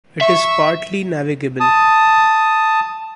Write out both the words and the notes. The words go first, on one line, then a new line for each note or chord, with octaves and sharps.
It is partly navigable.
E5 C#6
A5 D#6